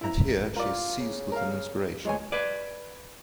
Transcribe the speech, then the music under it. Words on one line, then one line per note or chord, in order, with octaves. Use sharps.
And here, she is seized with an inspiration.
E4 A#5
F4 A#4 D5
C#3
A#4 F5
G#3 C#5 G#5
B4 D5